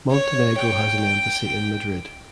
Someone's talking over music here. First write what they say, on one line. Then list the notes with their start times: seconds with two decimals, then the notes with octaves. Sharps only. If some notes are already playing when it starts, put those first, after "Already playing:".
Montenegro has an embassy in Madrid.
0.10 C#5
0.57 G5